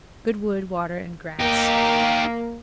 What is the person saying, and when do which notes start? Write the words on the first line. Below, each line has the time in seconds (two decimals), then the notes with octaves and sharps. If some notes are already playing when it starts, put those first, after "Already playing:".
Good wood, water, and grass.
1.41 A#3 D#4 G4